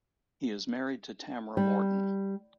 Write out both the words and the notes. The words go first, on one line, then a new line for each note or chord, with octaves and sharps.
He is married to Tamra Morton.
G3